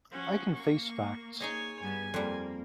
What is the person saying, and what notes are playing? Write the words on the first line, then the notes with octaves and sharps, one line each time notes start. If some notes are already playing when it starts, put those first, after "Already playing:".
I can face facts.
F3 C#4 F#4
A#3 C#6
D#4 G#4 C#5 D#5 G#5
G2 B3 G#5
F2 G3 A#3